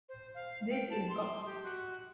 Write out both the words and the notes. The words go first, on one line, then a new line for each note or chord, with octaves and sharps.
This Is Goth!
C5
F5
G5
A5
C6
G4
F#4